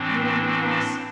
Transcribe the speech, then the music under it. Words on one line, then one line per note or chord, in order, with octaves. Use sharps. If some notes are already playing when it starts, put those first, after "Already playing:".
"You won't be cross?"
Already playing: A2 E3 C4 D4